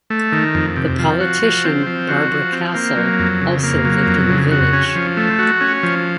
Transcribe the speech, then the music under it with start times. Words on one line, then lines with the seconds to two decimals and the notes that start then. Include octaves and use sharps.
The politician Barbara Castle also lived in the village.
0.10 A3
0.32 D#3
0.54 F2
0.76 C3
0.99 F3
1.20 F#4
1.43 F3
1.65 C4
1.86 F3
2.09 F#4
2.31 F3
2.52 C4
2.75 A#3
2.96 F#3
3.19 F2
3.41 C#3
3.63 A#3
3.85 F#3
4.07 F2
4.29 C#3
4.51 F#4
4.73 C#4
4.95 F3
5.17 A3
5.39 F#4
5.61 C#4
5.83 F3